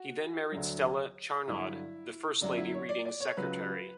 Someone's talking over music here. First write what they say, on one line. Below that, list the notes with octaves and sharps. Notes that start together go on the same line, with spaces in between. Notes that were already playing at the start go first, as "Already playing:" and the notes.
He then married Stella Charnaud, the first Lady Reading's secretary.
Already playing: F#4
D2 D3 F#3
G2 D3 F#3 E4
F#2 D3 F#3 D4
E4
C#5
D5
D5
C#5
C#2 C#3 F#3 B4